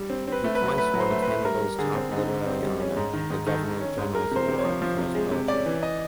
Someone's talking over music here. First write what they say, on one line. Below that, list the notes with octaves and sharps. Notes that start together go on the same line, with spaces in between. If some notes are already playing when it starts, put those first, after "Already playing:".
He twice won Canada's top literary honor, the Governor General's Award, for his poetry.
Already playing: G3
C4
C4 B4
A3
B4
F#3
A3 B4
F#3
C5
A3
B4
A3
G3 A#4
G3
D3 G#4
C4
D3 D#4
D3
C4
G3
C#4
G#2
D#3
G#2
D#3 A4
D#3
C#4
G#2
G#3 A#4
C3 C5
C3
C#5
F3
F3
C3
G#3
C3
C#4 D5
E3
D#5